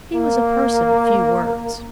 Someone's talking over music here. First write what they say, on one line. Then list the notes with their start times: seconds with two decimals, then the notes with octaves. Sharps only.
He was a person of few words.
0.13 A#3